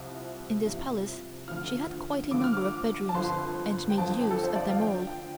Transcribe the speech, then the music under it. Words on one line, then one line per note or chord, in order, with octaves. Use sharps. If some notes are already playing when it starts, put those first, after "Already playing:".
In this Palace she had quite a number of bedrooms and made use of them all.
Already playing: C2 C3 F3
C2 C3 F3
D2 D3 F3 F6
D2 D3 F3 D6
F6
D6
A5
G1 F2 F3 C6
G5
G1 F2 F3 A5
A4
C5
D5
F5
D2 D3 F3 G5